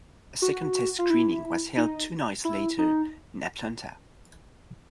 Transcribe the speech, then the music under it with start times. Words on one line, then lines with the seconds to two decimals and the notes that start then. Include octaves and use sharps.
A second test screening was held two nights later in Atlanta.
0.42 F#4
0.99 F4
1.10 E4
1.77 D#4
2.45 E4
2.78 D#4